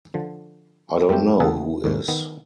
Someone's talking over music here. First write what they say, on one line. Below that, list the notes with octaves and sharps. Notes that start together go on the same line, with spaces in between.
I don't know who is.
D3 F3
F#2 G3 A3 C4 G4
E2 C#3 A#3 G#4 A4 F#5
D#2 G#2
D#3 B3